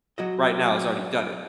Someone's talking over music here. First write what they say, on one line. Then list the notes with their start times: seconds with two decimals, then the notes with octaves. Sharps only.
right now has already done it.
0.18 F#3 F#4 D#5